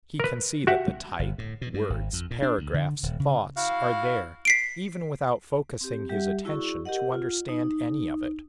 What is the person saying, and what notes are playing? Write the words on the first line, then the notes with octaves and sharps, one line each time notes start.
He can see that the type, words, paragraphs, thoughts are there, even without focusing his attention to understand any of it.
A#4 B4
F#4 G4 E5 F#5
G1
A2
B2
G2
G#1
F2
A#2
D4
D2
D3
D#1
C#3
E4 F#4 F5
B6 C7 D7
C4 G4
G3 G4 E5 F#5
E4 F#4 G#4 D5 C#6
G4 A#4 D#5 F#5
F4
D#4